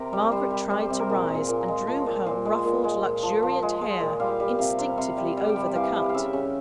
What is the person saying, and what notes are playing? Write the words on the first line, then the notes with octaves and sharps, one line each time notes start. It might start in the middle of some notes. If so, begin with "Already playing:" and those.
Margaret tried to rise, and drew her ruffled, luxuriant hair instinctly over the cut.
Already playing: C3 G4 A#4
G3
G3 C5
G3
G3 C5
C3
A#4
A#2 G#4
A#2
G#4
A#2
A#4
G#3
F3
A#2
A#2 C5
G#3
A#2
G#3
A#2
F3
F3
G#3
G#3
A#2
G3 F5
G3
C3 F5
C3
C3 F5
G3
G3
G5
G3
E3 F5
G3
F5
C#3 E5
C#3